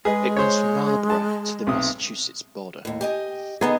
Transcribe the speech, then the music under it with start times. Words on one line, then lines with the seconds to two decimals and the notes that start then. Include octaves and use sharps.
It runs from Marlborough to the Massachusetts border.
0.05 G#3 G#4 B4 D#5
0.36 C5 C#5
1.10 A5
1.67 B1 C3 D#6
2.85 D#2 A2
3.01 G4 D#5 G#5
3.61 D3 D#3 B3 D#4 G#4 D#5